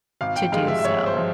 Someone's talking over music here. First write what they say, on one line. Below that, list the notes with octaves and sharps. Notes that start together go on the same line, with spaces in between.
to do so."
G#1 F5
G5
G2 F3 G#3 F5
E5
E5
G#1 C#5
C5
F3 G#3